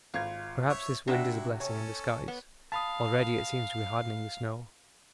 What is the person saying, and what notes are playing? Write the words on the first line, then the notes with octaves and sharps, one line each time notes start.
Perhaps this wind is a blessing in disguise, already it seems to be hardening the snow.
G#1 F4 G#6
C#5 E5
C3 D4 E4 F#4 E5
C#4 A4 C#5
B3
F5 A5 B5 D#6